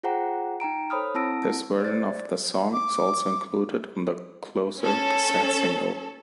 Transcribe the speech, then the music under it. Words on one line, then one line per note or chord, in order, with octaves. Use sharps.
This version of the song is also included on the "Closer" cassette single.
F4 G#4 C5 F#5 G5 A#5
D#4 G5 A#5 D7
A4 C5 C#5 B5 D#6 F6
C4 E4 A5 E6 A#6 D7
C5 D5 A6
D6
C#4 A4